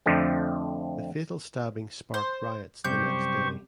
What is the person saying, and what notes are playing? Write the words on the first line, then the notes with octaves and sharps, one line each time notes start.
The fatal stabbing sparked riots the next day.
F2 D3 F3 A3 C4
C5
F#2 C3 G3 G4 C5 C#6 G6